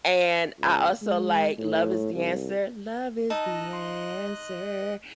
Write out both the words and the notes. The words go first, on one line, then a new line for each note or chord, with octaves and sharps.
And I also like Love Is the Answer. Love is the Answer.
C#2
G#3
A2
C2
D#4 D#5 A5 E6 F#6
C6